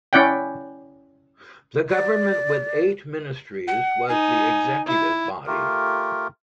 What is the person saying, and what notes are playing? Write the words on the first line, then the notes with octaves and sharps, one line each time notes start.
The government with eight ministries was the executive body.
C#4 E4 D5 F#5 G5
D5
F#5
D#4 G#5
E4
A3 F4 G4 A#4